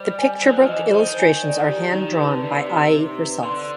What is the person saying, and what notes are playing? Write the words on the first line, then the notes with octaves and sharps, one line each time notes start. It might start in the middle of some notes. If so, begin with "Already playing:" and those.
The picture book illustrations are hand-drawn by Ai herself.
Already playing: G3 C5 D#5
G#5
F#3 C5
F3
E3 D#5
D#3 C5
G#5
D5
G4
D#3 D#4
D3 B4
C3 D5
G4
D#4
B4
D3 C6